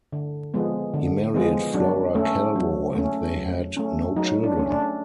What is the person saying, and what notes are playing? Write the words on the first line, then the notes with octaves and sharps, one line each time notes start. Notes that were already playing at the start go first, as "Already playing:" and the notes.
He married Flora Calvo and they had no children.
D3
F3 G#3 B3
D3
F3 G#3 B3
F#3 D4
A3 C#4
F#3
A3 C#4
F#3
A3 C#4
F#3 D#4
D4
A3 C#4
D4